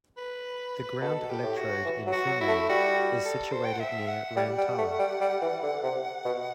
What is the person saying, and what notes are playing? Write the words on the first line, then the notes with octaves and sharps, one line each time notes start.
The ground electrode in Finland is situated near Rantala.
B4
B2 A4
G4
A2
F#4
E3
F#3
F#4
F#3
E4
A3
G3 F#4
A4
C5
G5
F#5
E5
F#5
G3 F#5
G3
A3
G3
G3
E3
D3
C3
B2